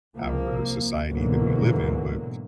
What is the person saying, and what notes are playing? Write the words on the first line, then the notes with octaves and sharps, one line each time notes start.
our society that we live in, but,
C2 F3 A#3
G#2 B2 D3 E3 F#3 A#3